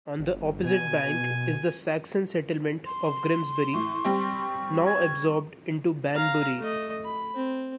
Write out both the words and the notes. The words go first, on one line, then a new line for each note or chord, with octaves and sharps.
On the opposite bank is the Saxon settlement of Grimsbury, now absorbed into Banbury.
G1
B2 G#5
C6
A2 E3 C#6
G3 C4 G4
G#6
F5 A#5
A3 D#5
B5
C4